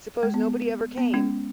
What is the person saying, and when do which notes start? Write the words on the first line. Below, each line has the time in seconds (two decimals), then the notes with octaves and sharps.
Suppose nobody ever came!
0.23 G#3
0.34 B3
0.98 B3
1.14 G#3 C#4